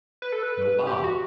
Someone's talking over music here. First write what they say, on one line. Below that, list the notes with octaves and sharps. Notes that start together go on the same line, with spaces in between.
No Bob.
B4
A4
B4
G4
F#4